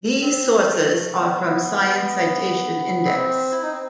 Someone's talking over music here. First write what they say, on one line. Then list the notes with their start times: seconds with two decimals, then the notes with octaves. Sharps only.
These sources are from the science citation index.
0.21 C4
0.69 A3
0.88 A3
1.17 B3
3.05 C4
3.52 E4
3.62 D#4
3.72 C4